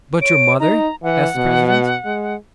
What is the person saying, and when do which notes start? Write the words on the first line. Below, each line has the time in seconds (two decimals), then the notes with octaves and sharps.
"But your mother?" asked the president.
0.22 C#5 D7
0.60 D#4 A#5
1.03 E3 F#5
1.36 B2
2.05 G#3